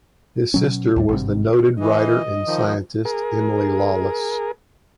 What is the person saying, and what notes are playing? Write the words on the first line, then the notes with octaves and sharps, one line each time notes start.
His sister was the noted writer and scientist Emily Lawless.
B2 F#3 C#4
D2 G#2 G3
G#1 G2 C3
E3 D#5
D#3 F3
G#4 A#4